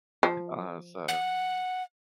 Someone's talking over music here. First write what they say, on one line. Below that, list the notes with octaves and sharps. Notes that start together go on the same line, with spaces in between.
Uh, so
F3
F#5